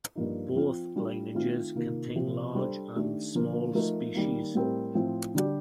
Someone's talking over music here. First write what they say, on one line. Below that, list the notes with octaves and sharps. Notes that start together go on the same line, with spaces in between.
Both lineages contain large and small species.
G2 F3 A#3 D#4
F3 C4 F4
G3 D4 F4
D#3 A3 C4 F4
C3 D#3 A#3 F4
C3 F3 C4 G4
G3 D4 A4 C5
D#3 A3 D4 G4
D3 F3 A#3
F3 A3 D#4 A#4
D#3 G3 A#3
A2 G3 C4 G4 A#4
A2 F3 C4
D3 G3 D4 G4